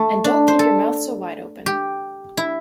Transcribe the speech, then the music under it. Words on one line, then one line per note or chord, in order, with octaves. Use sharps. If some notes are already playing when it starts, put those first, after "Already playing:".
And don’t keep your mouth so wide open!
Already playing: A3
D4
C5
A4
G4
E4